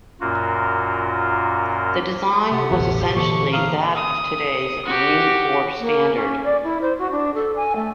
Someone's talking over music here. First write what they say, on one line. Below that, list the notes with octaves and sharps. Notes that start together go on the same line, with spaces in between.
The design was essentially that of today's Marine Corps standard.
F#2 A#2 A#3 F4 F#4
C3 G4 A4 F#5
E1 A1 D2 B2 F#4
G4 C5
A#2 D3 E3 C#6
F5 A#5 D#6
D#6
F#4 G4
A#3
C#4
D5
E4
C5
F#4
D4
A4
G#5
A3